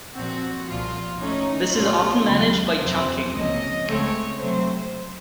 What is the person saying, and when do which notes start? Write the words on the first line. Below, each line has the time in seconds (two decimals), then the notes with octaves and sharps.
This is often managed by chunking.
0.15 A#2 F3 C4 F#4
0.68 C2 A#2 F3 F4
1.21 A2 A3 C#4 D#4
1.75 C2 A#2 A3 C#4 F4
2.28 D#2 C#3 F#3 F4
2.81 F2 C3 F#3 C4 C5
3.34 C#2 C3 F3 A#3 C#4 D#5
3.88 C#2 C#3 A3 C4 C#5
4.40 C3 F#3 A3 C4 C5